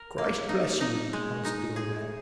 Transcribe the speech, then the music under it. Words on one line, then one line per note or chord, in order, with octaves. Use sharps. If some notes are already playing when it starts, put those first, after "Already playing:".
'Christ bless you,' answered the old man.
Already playing: A#4
A#3
D#4
D#4
G#3
D#4
G#4